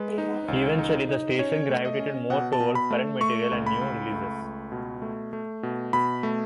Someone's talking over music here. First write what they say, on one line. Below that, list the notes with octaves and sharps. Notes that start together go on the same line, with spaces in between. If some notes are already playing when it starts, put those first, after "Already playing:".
Eventually, the station gravitated more toward current material and new releases.
Already playing: G#3 B4
D#4
C#2
D#4
D#4
C#4 C#5
A3
D#5
C#4
B2 F#5
A5
B2
B5
A3
A3 C#6
C#2
B5
C#2
A3
C#2
B2
A3
A3
B2
B2 B5
A3